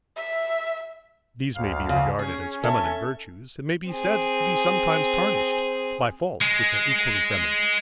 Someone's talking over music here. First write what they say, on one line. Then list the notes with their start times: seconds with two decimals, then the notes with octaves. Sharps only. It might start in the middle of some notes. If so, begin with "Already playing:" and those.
These may be regarded as feminine virtues, and may be said to be sometimes tarnished, by faults which are equally feminine.
0.17 E5
1.55 D2 F5
1.89 C#3
2.19 C#4 G#4
2.64 A4 E5
3.90 C4 G#4
6.42 G#3